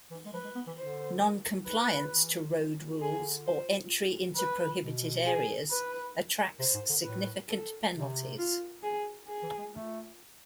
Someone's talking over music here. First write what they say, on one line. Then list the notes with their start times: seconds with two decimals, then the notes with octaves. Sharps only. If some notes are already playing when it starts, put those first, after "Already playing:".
Non-compliance to road rules or entry into prohibited areas attracts significant penalties.
0.11 E3
0.25 G#3
0.33 F3 B4
0.44 G#3
0.55 B3
0.67 E3
0.78 D3 C5
1.67 B4
2.12 E3
3.01 D3 G#4
3.46 C5
4.36 B4
4.81 B2
5.26 G#4
5.70 B4
6.59 C3 C5
6.74 G#2
6.90 D3
7.04 A2 B4
7.49 A4
7.94 C3
8.38 F4
8.83 G#4
9.28 G#4
9.43 E3
9.58 G#3
9.73 A3